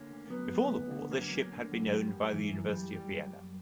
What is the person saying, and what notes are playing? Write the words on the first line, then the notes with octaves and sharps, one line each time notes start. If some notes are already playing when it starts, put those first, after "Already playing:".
Before the war this ship had been owned by the University of Vienna.
Already playing: D3 A#3 C#4
D2
F#3 B3
D2
D2
D3
F#3 A#3 C#4
D2
D3
F#3
G3
F#2
E3
F#2
G3
G3
F#2
F#2